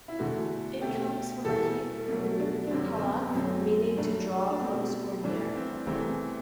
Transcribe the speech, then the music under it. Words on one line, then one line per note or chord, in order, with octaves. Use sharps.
It comes from a Hebrew root, "karav", meaning "to draw close or 'near'".
E4
E2 D3 A3 F#4
B2 A3 G4
E2 B2 G3 A4
B2 F#3 A3
D4
D4
F#2 D3 G3 C4
C4
B3
B3
F#2 F#3 A3 C4
G2 F#3 A3 D4
D4
B2 A3 C4
G2 E3 A3 D4
C4
E2 C3 E3 A3 C4